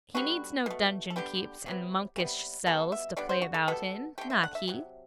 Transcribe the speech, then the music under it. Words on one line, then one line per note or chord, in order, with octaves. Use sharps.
He needs no dungeon keeps and monkish cells to play about in--not he!
D3 G3 B3 F#4
B2 A3
A4
D3 G3 B3 G4
C3 F#3 B3
C3 G3 B3
B2 G3 B3 A4
E5
D3 G3 B3 D5
C5
F#4
A4
B2 G3 B3 A4
D3 A3 G4
E5
F#5
E5
C3 F#3